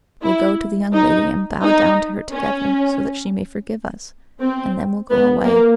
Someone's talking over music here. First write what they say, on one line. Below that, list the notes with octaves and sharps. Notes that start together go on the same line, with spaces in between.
We'll go to the young lady and bow down to her together, so that she may forgive us, and then we'll go away.
E4
D#4
D#4
C#4
C4
B3
A#3